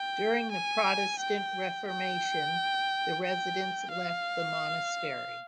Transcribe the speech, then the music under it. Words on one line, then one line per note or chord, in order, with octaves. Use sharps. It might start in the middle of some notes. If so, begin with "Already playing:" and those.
During the Protestant Reformation the residents left the monastery.
Already playing: G5
G#5
G5
G5
G5
F5